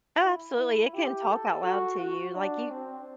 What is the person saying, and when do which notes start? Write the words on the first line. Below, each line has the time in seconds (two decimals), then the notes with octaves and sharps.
Oh, absolutely. It can talk out loud to you, like, you
0.23 E4
0.59 E4
0.94 G4
1.29 A4
1.64 F#4
2.00 F#4
2.35 D4
2.71 C4